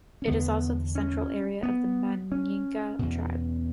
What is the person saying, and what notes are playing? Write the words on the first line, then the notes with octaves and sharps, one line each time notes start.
It is also the central area of the Manyika tribe.
C#4
E2 D3 B3
C#4
B3
C#4
E2 B2